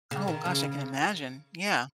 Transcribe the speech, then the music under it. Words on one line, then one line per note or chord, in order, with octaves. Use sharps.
Oh gosh, I can imagine. Yeah.
C#3
D#3
C#3